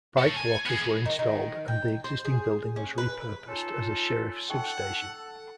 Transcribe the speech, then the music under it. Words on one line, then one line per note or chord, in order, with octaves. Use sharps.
Bike lockers were installed and the existing building was re-purposed as a Sheriff substation.
A4 C#5
G#5
B3 G#4
D#3
D#3
G5
C5
G#4
C#4
B4
C#4 D#4 F4 A4
D#4 A4 F#5 G5 C#6